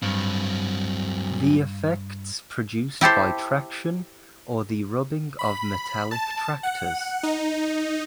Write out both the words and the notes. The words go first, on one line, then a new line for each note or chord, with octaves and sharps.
The effects produced by traction, or the rubbing of metallic tractors.
G2 F#3 C4
E4 G4 A4 C5
B5
A5
F#5
D#4